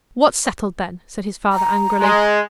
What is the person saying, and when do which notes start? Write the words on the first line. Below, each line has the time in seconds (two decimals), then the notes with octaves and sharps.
"What's settled, then?" said his father, angrily.
1.53 A#5
2.01 G#3